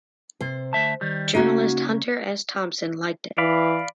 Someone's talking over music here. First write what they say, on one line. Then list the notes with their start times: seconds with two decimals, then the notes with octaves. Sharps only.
Journalist Hunter S. Thompson liked it.
0.41 C3 C5
0.73 D2 E5 A5
1.01 D#3 G3
1.34 C#3 A#3 C#4 D#4 F#4
3.38 E3 D5 F5 B5